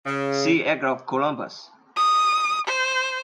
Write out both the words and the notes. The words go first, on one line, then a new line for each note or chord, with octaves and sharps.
See Egg of Columbus.
C#3
D#6
C5